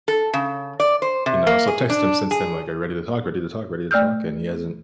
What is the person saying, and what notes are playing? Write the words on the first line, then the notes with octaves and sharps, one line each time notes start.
you know, so, I've texted him since then, like, "Are you ready to talk? Ready to talk? Ready to talk?" and he hasn't
A4
C#3
D5
C5
C3
A#3
G#4
D4
G#4
A3 D5 E6 F6 G6